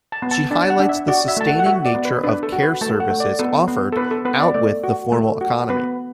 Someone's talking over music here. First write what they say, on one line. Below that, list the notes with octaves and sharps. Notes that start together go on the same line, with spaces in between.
She highlights the sustaining nature of care services offered outwith the formal economy.
A5
B3
A5
D4 A5
A5
F#5
D4
E5
F#4 D5
E5
A3 A5
F#5
F#5
F#4 E5
D5
B3
B4
D4 B4
A4
F#4
B4
A3 A5
F#5
A3
D5
B3 A4
B3
A4
B3 B4
A4
B3 B4
D5
A3 D5
F#4
A3
F#4
B3 B4